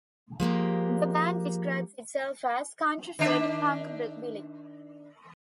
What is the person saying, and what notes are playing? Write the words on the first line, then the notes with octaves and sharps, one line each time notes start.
The band describes itself as "country-fed punkabilly".
F3 G#3 A#3 G4
D#3 D4 E5